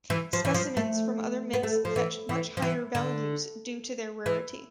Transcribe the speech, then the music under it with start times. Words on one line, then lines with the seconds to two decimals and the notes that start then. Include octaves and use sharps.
Specimens from other mints fetch much higher values due to their rarity.
0.10 E3
0.33 F3
0.45 E3
0.54 F3
0.77 A3
1.53 B3
1.63 A3
1.85 F3
1.96 E3
2.29 E3
2.57 F3
2.62 E3
2.95 D3
4.26 E3